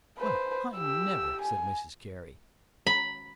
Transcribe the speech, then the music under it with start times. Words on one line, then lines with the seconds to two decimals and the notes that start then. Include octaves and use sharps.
"Well, I never," said Mrs Carey.
0.18 B4 C5
0.76 G4 E6
1.42 G#5
2.87 B5